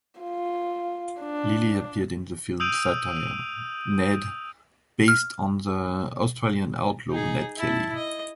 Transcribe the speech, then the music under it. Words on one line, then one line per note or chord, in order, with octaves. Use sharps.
Lilley appeared in the film satire, "Ned" based on the Australian outlaw Ned Kelly.
F4
D4
D#6 E6 G6 D7 D#7 F7
F6
D#4 G#4
E4 A5
D#5